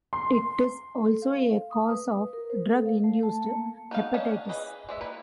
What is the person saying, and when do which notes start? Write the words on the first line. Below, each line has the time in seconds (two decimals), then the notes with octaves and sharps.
It is also a cause of drug-induced hepatitis.
0.13 C6
0.98 A4
1.22 F5
1.71 D#6
1.89 B4
2.33 A#4
2.50 C5
2.70 A4
2.86 F5
3.04 A3
3.23 A5
3.46 A#3
3.91 B3 D#4 G#4 F5
4.14 C#4 D4 D#5 A5
4.49 E3 G#4 B4 D#5
4.89 G#3 D5 E5
5.01 E3 A#3 B4